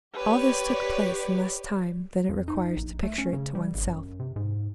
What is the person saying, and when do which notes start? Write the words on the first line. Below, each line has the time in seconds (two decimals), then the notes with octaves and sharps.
All this took place in less time than it requires to picture it to one's self.
0.15 G4 B4 C#5 D5
2.29 F2
2.48 D#4
2.77 A#1
3.03 A3
3.18 C#4
3.33 C#3
3.55 G3
3.75 G#1
3.87 F#2
4.20 C3
4.36 G#2